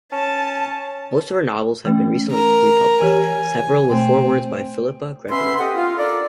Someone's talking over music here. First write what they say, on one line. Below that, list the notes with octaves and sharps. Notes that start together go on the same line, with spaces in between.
Most of her novels have been recently republished, several with forewords by Philippa Gregory.
C#4 A5
E3 A3 C#4
A#4 A#5
E3 G4 C#5 G#5
B2 A3 C4 G5
B3 C#4 E5 B5 C6
G4 A4 C5 D#5 F#5
F4
D4 A4 A#4 D5